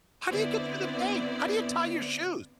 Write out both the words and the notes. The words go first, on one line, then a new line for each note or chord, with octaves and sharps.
“How do you get through the day? How do you tie your shoes?”
D3 B3 C4 E4 C5 D5